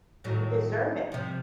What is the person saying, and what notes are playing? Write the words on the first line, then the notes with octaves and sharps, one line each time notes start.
you deserve it.
D#2 A2 F#3
C3 F3